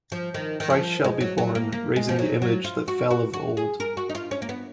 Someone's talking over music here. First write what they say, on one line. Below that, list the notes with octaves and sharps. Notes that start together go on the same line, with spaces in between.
Christ shall be born, raising the image that fell of old.
F3
D#3
D#3
F3
G#3
F#3
F#3
A#3
A#3
G#3
F3
F#3
F#3
F4
F#4
F#4
F#4
G#4
A#4
F#4
D#4
F4
C#4
A#3
B3